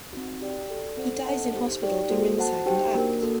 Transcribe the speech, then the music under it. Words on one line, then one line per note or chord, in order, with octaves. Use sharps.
He dies in hospital during the second act.
C4 D#4 F#4
G4 D5 G5
F#4 A4 D5
C4 D#4 A4 C5 F#5
D4 A4 D#5 F#5 A5
D#4 G4 C5
D#4 G4 D5 G5
A#3 F#4 A4 C5
F#4 C5 F#5 A5
D#4 G4 C5 G5
A#3 D4 F#4 A#4
A#3 F#4 A4